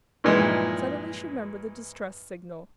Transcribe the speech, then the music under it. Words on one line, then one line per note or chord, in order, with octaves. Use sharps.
Suddenly she remembered the distress signal.
G2 A#2 E3 F3 G#3 D#4